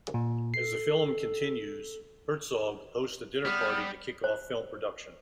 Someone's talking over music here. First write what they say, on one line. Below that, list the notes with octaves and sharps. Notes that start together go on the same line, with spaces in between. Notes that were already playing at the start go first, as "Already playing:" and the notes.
As the film continues, Herzog hosts a dinner party to kick off film production.
A#2
A4 C7
G3 B3 F6
C5